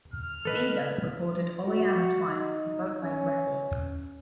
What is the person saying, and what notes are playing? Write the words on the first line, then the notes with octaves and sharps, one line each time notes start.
Seeger recorded Oleanna twice for Folkways Records.
F6
A4 B4 D#5
F#4
D#4
C#4